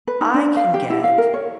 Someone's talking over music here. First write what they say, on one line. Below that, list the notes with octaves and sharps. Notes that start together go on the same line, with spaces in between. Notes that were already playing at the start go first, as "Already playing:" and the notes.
I can get
B4
D#4
D4
F5
G4
E4
F5
A#4
C#5